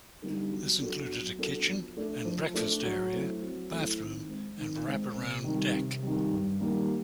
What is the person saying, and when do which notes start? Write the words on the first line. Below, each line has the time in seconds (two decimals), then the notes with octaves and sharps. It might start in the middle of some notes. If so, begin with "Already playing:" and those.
This included a kitchen and breakfast area, bathroom, and wraparound deck.
0.22 D3 G3 B3 D#4
0.51 F#3
0.80 B3 D4 F#4 A4
1.09 F#3
1.38 B3 D4 F#4 A4
1.67 F3
1.97 A3 D4
2.25 F3
2.54 A3 D4
2.83 F#3
3.12 A3 C4 E4
3.41 F#3
3.70 A3 C4 E4
4.00 D#3
4.29 G#3 C4
4.57 D#3
4.86 G#3 C4
5.15 C3
5.44 D#3 G3
5.73 C3
6.02 D#3 G3
6.31 G2
6.60 D#3 G3 A#3